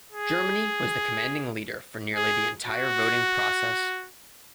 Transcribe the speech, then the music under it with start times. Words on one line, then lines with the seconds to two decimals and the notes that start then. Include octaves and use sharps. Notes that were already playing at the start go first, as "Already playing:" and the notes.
Germany was the commanding leader for nearly the entire voting process.
0.12 G#4
2.16 G#4
2.66 F#4